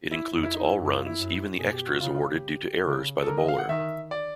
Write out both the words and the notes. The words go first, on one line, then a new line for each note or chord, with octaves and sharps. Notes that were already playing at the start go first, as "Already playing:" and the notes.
It includes all runs, even the extras awarded due to errors by the bowler.
E4
F2
E4
D#4
E4
F#2
E4
F4
E4
F#2
B2 G#4
G4
F#4
C#3 F4
F4
G4
C#3
A4
D3 A#4
D#5
F5
F#5
D#3 E5
D5